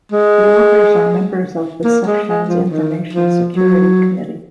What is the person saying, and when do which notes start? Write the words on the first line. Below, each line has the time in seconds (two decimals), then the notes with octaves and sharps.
The authors are members of the Section's Information Security Committee.
0.12 G#3
1.84 A#3
2.06 G#3
2.28 G#3
2.48 F3
2.70 D#3
3.13 F3
3.56 F#3